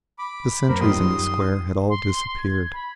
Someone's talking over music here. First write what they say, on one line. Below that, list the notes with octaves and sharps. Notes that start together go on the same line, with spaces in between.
The sentries in the Square had all disappeared.
B5 D6
F#2 A#3 A#4 C5 B5
D#3 F3 G3 C6 D#6
C6
G#6
B5